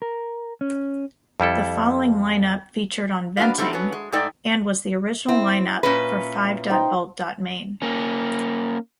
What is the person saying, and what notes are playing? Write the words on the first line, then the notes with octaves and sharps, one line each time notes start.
The following lineup featured on "Venting" - and was the original lineup for Five.Bolt.Main.
A#4
C#4
F2 G3 E4 A4
B3 D4 F#4 A#4 F5
G3 A3 C4 D#4 F#4
F#3 B3 C#4
G#3
G#2 A3 D#4 A4 D5 G5
C4 E4
A#2 C#4 B4
D#4 C5 G5
A#3 C#4